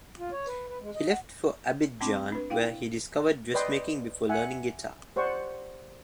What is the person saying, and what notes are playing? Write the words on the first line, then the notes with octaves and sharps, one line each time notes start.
He left for Abidjan where he discovered dressmaking before learning guitar.
F4
C#5
B4
B4
G#3
D#5
F#5
A3 C4 D4 A5 C6 D6
D4 B4
E4 F5 G5
B4 D5 D#5 G5 C6
E5 F#5 G#5
G4 C5 D5 F#5 C#6